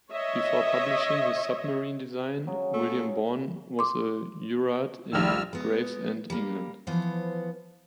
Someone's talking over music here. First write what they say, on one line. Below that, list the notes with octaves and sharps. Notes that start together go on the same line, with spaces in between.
Before publishing his submarine design, William Bourne was a jurat in Gravesend, England.
C#5 D#5 E5
C#3 F#3
A3
C6 D6
A#1 D#2 G3 E6 F6
G#3 B3
G3 A#3
E3 F3 B3 C5